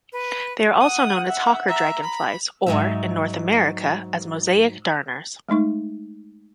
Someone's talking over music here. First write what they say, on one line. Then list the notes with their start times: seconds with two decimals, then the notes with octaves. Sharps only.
They are also known as hawker dragonflies, or, in North America, as mosaic darners.
0.12 B4
0.80 F#5 D#6
1.27 E5
1.68 E5 A#5
2.03 B5
2.66 G#2 C#3 F#3 D#4 E5
5.49 G#3 A3 D#4 C#6